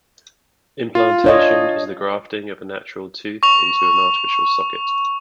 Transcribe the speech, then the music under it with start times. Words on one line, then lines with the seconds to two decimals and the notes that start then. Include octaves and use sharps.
Implantation is the grafting of a natural tooth into an artificial socket.
0.95 F4
1.24 D4 C#5 D#5
3.43 C#6 F7